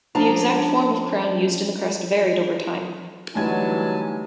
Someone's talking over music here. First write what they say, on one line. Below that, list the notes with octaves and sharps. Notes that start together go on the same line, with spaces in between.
The exact form of crown used in the crest varied over time.
F3 C#4 D4 A5 A#5
D2 E3 F#3 G3 D#4 G#5 A5 G#6